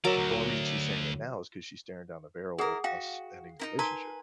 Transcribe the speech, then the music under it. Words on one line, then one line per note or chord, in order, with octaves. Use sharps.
the only reason she's saying it now is 'cause she's staring down the barrel of us ending the relationship,
F#3 A#4 D5 E5 D6
D2
E4 G#4 A#4 F#5 D#6
F#4 F5 G5
D#4 E4 A#4
D#4 A#4 B4 G#5 A#5 C6